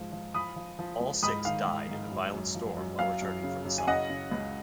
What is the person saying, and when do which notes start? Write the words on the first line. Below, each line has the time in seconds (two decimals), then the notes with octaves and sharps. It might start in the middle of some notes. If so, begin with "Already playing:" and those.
All six died in a violent storm while returning from the summit.
Already playing: G#2 F3
0.12 F3
0.34 F3 B5 D#6
0.56 F3
0.79 F3
1.00 C#2
1.23 G#2 B5 D#6
1.44 D#3 F5
1.67 G#2
1.89 G#2
2.11 F#2
2.34 F#2
2.55 F3
2.77 F#2
2.99 F#2 F5
3.22 F#2
3.43 C#3
3.65 F#2
3.78 G#5
3.87 C#3 D#5 F#5
4.09 C#3
4.31 C#2